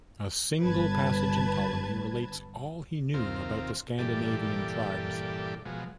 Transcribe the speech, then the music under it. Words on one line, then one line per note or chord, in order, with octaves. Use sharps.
A single passage in Ptolemy relates all he knew about the Scandinavian tribes.
G1 B4 A5 G#6
D#2 C3 C4 F4 A#4
G2 A#2 E3 G4 A4 D5
B2 F3 F#3 G#3